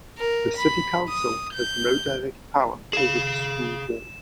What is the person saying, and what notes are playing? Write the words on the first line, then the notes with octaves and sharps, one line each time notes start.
The city council has no direct power over the school board.
A#4
B5
D#6
G6
G#4 F5 E7